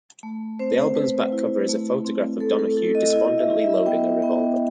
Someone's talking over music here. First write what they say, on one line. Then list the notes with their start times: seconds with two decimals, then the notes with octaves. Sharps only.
The album's back cover is a photograph of Donahue despondently loading a revolver.
0.23 A3
0.59 C4 C5
0.95 A3 B4
1.32 E4
1.69 A3
2.05 C4
2.40 A3 A4
2.59 A4
2.77 E4 A4
2.95 D#5
3.13 E4 D#5
3.38 E5
3.50 E4
3.62 E5
3.86 B3 G5
4.22 B3 G5